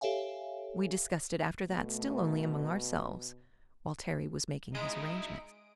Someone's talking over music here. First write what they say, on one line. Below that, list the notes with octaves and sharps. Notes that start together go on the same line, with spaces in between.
We discussed it after that, still only among ourselves, while Terry was making his arrangements.
G4 A4 C#5 E5 F5 G#5
B2 A3
G#3 D#4 E4 D#5 D#6 D7